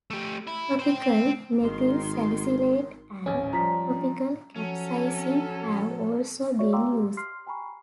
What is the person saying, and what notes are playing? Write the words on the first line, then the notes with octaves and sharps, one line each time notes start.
Topical methyl salicylate and topical capsaicin have also been used.
A3 G4
E4
C5 G5
G#1 D#3 C6
D#1 A1 C#4 G#5
F3 G3 A#5 B6
F3 F#3 C#4 A4
F#4 C#5 D5 E5 C#6
F5 G5 A#5 C6 D6 E6
G4
C6 F6 C7
G5 G#5 A#5 B5 C#6